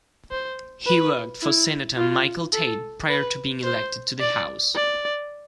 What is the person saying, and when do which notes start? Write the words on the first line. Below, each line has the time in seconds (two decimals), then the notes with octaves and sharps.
He worked for Senator Michael Tate prior to being elected to the House.
0.31 C5
0.87 B4
1.43 E4
1.97 F4
2.53 A4
3.09 B4
3.64 C5
4.20 D5
4.75 D5